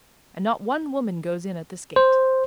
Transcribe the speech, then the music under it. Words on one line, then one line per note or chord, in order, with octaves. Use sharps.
And not one woman goes in at this gate.
C5